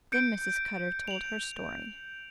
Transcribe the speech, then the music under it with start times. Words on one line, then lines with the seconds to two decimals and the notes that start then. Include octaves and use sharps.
Then Mrs. Cutter told her story.
0.12 G6 C#7 D7
1.08 F7 F#7